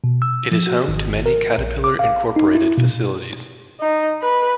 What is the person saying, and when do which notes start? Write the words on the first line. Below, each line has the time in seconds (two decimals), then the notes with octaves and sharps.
It is home to many Caterpillar Incorporated facilities.
0.04 B2
0.22 E6
0.51 F3
0.67 F#4
0.88 G#1
1.26 A#4
1.58 A#1
1.84 D6
1.99 F5
2.36 D#4
2.55 E4
2.78 B2
3.80 D#4
4.22 B4